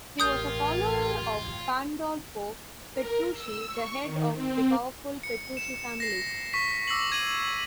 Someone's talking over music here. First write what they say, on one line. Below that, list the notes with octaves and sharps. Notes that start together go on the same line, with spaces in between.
He was a follower of Pandolfo Petrucci, the head of the powerful Petrucci family.
A1 F4 G4 A#4 D#6 G6 G#6
A#4
E6
C#6
D#3
C4
C#7
E7
A#6 C7
C#6 B6
D6 E6 A#6 C7 F#7
G#6 D#7 F#7